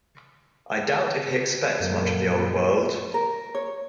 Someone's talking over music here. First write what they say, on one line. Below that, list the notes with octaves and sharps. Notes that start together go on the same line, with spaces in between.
I doubt if he expects much of the old world.
F#2 A#2 F#3 A#3 A4
A#4
C#5